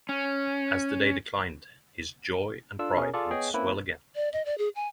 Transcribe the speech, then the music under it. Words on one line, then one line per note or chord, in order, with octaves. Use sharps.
As the day declined his joy and pride would swell again.
C#4
D4 F4 A4 E6
B2 C#4 G#4 A#4
F4 G#4 A4 D5
B3 G#4 C#5 D#5 G5 G#5
A#3 C4 C#4 E4 B4
D5
D#5
D5
G#4
G#5